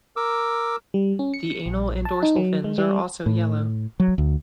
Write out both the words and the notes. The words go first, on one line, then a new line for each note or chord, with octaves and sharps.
The anal and dorsal fins are also yellow.
A#4 D6 E6
G3
C#4
C#7
A#1
A5
D#4
F#3
G#3
G3
A2
F#3
D2